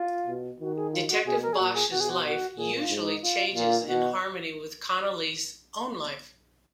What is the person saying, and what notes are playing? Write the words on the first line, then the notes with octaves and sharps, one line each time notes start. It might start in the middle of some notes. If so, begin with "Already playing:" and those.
Detective Bosch's life usually changes in harmony with Connelly's own life.
Already playing: F4
B2
D#3 F#4
G#4
F4
F#4
B2 G#4
A#4
G#4
A#2 F#4
G#4
B2 F#4
G#4
F#4
F#4
A#2 G#4
F4
G#2
D#4
F4
A#2 F4
B2 F#4